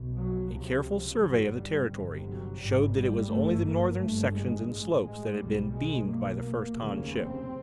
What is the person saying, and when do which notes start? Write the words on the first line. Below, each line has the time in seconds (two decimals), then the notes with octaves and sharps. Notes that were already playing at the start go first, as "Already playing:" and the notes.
A careful survey of the territory showed that it was only the northern sections and slopes that had been "beamed" by the first Han ship.
Already playing: B1 B2
0.15 F#3
0.49 C#2 C3 F3
1.19 G1 G2 F#3
1.54 G3
1.89 G1 F2 C3
2.23 F#3
2.58 G#1 G#2 G3
2.94 G3
3.28 G#1 G2 A3
3.63 A#3
3.97 G1 G2 A3
4.32 G#3
4.67 A1 G#2 G#3
5.01 G#3
5.36 B1 B2 G3
5.71 G#3
6.06 B1 A#2 A#3
6.75 F1 D#2 C#3
7.11 C4